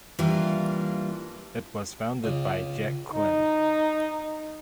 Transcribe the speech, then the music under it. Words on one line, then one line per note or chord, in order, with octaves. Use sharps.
It was founded by Jack Quinn.
E3 G3 A#3 D4 F4
C#2
D#4